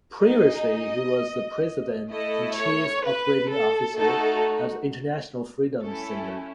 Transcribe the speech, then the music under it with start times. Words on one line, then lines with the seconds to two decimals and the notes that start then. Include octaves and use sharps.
Previously, he was the president and chief operating officer of the International Freedom Center.
0.23 D#4 G#4 D#5
2.11 A3 E4 A4 D#5
2.57 C#5
3.03 B4
3.50 A4
3.96 A3 D#4 F#4 A4
5.83 A3 C#4 E4 A4